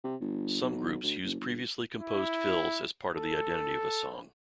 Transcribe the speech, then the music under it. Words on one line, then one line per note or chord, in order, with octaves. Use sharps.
Some groups use previously composed fills as part of the identity of a song.
C3
G1
B1
D2
F#1
G1
E4
A4